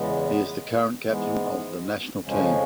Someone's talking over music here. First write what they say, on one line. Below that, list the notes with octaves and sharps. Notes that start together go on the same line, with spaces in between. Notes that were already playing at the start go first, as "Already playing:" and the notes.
He is the current captain of the national team.
Already playing: E2 C#3 E3 G#3 B3
G#2 E3 G#3 B3
F2 C#3 F3 G#3 C#4